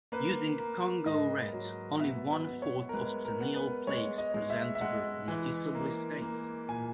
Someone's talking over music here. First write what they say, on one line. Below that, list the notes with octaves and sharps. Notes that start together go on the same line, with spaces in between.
Using Congo red, only one-fourth of senile plaques present were noticeably stained.
A#3 B4
A#3
G#2 D#5
F#3
B3 E5
B4
B3
C#5
A#4
G#3 B4
A#4
B3
B4
G#3 C#5
D#5
G#3
E5
E5
G#3 F#5
E3
A#3
A#3
A#2 G#5